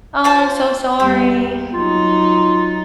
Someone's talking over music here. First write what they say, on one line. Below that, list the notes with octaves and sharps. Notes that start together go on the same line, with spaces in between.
Oh, I'm so sorry.
F4 C5 A5
E2 G3 A#3 G4
F#3 D#4 F4